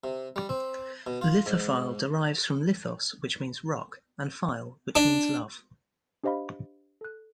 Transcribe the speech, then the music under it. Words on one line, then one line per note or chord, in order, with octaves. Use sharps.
Lithophile derives from "lithos" which means "rock", and "phile" which means "love".
C3
G3
C4
B2
F4
G#2
D4
D4 G4 C5 D#5 F5 B5
A4 F#6